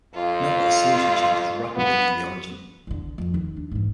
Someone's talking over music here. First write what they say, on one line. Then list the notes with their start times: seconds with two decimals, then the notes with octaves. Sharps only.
Note that the solution changes rapidly near the origin.
0.15 F2 F4
1.75 B3
2.87 E2 D3
3.18 F2
3.34 D#2
3.56 D4
3.71 G#2 E3